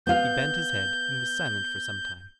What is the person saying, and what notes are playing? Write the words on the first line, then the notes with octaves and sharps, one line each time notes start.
He bent his head and was silent for some time.
B3 F5 G6